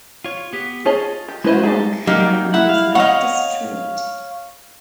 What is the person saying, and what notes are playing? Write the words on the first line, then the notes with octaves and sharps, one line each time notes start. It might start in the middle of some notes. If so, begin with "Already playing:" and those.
Her work however was not destroyed.
F4 C#5
B3 G4
F4 G#4 C#5 D#5 A5
G4
G#3 C#4 E4 B4 C5 D#5
G3 G#3 D#4 G#4 A5
F#3 A#3 D#4 G4
E4 F#5
F5
C#5 D#5 F5 F#5